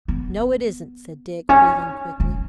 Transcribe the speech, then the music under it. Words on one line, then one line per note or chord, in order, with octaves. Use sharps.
'No, it isn't,' said Dick, wheeling quickly.
B3
C#4
C#4